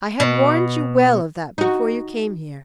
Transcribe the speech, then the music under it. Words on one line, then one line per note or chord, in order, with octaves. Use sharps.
I had warned you well of that before you came here.
B2
D#4 F#4